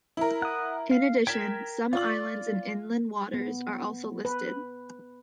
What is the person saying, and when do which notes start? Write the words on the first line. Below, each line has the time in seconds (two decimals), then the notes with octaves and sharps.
In addition, some islands in inland waters are also listed.
0.17 E4 A#4
0.42 F#5 D#6
0.91 F5
1.27 A#4 G5 G#6 B6 E7
1.93 F4 D5 F#7
3.34 B3
4.25 B4